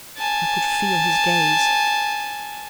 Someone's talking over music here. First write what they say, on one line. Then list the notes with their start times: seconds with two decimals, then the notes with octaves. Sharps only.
I could feel his gaze.
0.17 G#5 A5